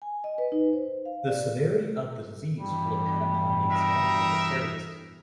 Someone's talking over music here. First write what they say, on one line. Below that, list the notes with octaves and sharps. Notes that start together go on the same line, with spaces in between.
The severity of the disease will depend upon the extent of the parasitism.
G#5
D#5
B4
D#4
C5
F5
D5
G2 B2 E3 G3
D#4 A#4 E5